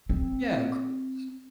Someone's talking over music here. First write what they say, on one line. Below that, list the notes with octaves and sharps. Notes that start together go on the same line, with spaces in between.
Yeah, of course.
C4